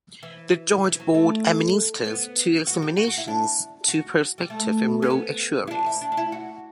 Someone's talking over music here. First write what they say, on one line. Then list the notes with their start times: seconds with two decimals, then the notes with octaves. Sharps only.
The Joint Board administers two examinations to prospective Enrolled Actuaries.
0.23 E3
0.84 E3
1.00 F#3
1.14 A3
2.06 B3
2.67 F#4
2.82 G4
2.97 F#4
3.07 F#4
3.17 E4
3.28 D4
3.88 F#4
4.38 G3
4.50 A3
5.02 C#4
5.10 B3
5.67 E4
5.71 D4
5.86 E4
6.01 D4
6.12 D4
6.17 E4
6.32 F#4